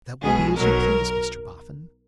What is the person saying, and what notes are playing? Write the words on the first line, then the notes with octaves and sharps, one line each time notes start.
'That will be as you please, Mr Boffin.
B1 B2 G#3 G#4
B1 B2 F#3 A#4